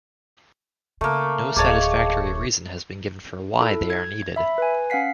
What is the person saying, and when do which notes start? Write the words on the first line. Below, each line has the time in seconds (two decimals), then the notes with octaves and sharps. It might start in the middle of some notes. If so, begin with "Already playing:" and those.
No satisfactory reason has been given for "why" they are needed.
1.01 C#3 A3 A#3
1.56 D1 G#4 C#5 D#5 F5 A5 D6
3.60 E4 A4
3.90 G#6
4.36 E5 B5
4.58 B4 G#5
4.90 C#4 F5 F#5 B6 C7